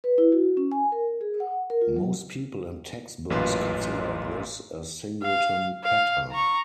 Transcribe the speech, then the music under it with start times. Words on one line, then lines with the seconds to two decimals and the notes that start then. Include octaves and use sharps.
Most people and textbooks consider this a singleton pattern.
0.04 B4
0.18 E4
0.32 F#4
0.57 C#4
0.72 G#5
0.92 A#4
1.21 G#4
1.40 F#5
1.70 A#4
1.81 F4
1.96 F#3
3.30 A1 F#2 A#2 F4 B4 C6
5.22 F5
5.83 F5
6.31 A#5 C#6